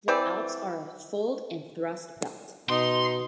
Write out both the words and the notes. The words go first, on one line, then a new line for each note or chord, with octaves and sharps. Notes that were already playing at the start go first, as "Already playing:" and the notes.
The Alps are a fold and thrust belt.
E3 C4 D5
B2 D#4 C6